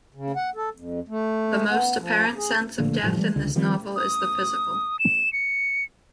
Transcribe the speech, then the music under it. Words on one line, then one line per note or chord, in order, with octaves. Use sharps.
The most apparent sense of death in this novel is the physical.
C#3
F#5
A4
F2
A3
B3
F3
G#4
A#1 A2 D3 A#3
F#1 A2 F3 G3
E3 G3 A3
C#2 D3
D#3 F3 G3 C4
D#6
E7
C#7